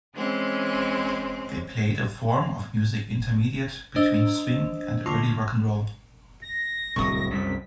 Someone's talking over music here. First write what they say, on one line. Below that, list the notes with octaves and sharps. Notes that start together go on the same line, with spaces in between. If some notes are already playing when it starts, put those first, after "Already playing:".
They played a form of music intermediate between swing and early rock and roll.
E3 G#3 C4 C#4
D4 C5 D#5 D#6 E6
D3 A#3 F4 C6 C#6 F6
A#6
D1 C2 C#6 D#6
C2 F#2 C#3 B6